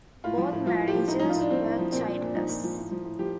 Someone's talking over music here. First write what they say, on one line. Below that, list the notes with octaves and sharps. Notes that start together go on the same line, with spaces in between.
Both marriages were childless.
A2 F4
F3
A2
F3 F4
A2
G4
F3
A2 D#4
D#4
F3
F4
A2 D4
F3 C4
A2
F3
A#2 C4
F3
D4
A#2
F3 D#4
A#2
F3
A2
F3
A2
F3 G4